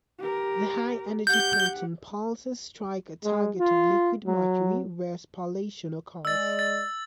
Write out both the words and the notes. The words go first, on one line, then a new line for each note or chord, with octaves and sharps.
The high-energy proton pulses strike a target of liquid mercury, where spallation occurs.
G4 A#4
G4 F#5 G6
G#3
F4
F#3
G#3 D5 D#5 E6 A6
A6